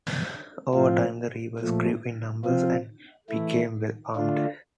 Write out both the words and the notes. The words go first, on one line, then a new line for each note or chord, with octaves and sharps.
Over time the rebels grew in numbers and became well armed.
A2 F3 C4 F4
A#2 F3 A3
C3 F3 C4 F4
E3 A3 E4
D3 A3 D4 F4